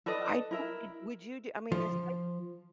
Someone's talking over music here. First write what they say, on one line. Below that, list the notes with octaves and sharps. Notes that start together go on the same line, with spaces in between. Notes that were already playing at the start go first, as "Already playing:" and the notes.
I wouldn't would you do I mean, it's like
A4 B4 D5 D#5
E4 A#4 E5
F3